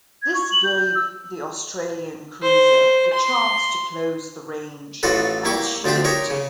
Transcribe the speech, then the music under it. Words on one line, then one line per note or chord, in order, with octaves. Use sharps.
This gave the Australian cruiser the chance to close the range, as she did.
G#6
C#6
F#7
G6
G6
E6
C5
C6
A1 A2 F4 F#4 A4 B4
A#3 E4 G4 C#6
D2 F3 D4 G4 C5
D#4 G4 A#4 C#5
C#3